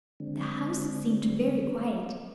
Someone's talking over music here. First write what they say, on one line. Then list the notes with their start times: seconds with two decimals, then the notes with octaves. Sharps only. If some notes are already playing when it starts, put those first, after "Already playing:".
The house seemed very quiet.
0.20 D3 G#3 C4 D4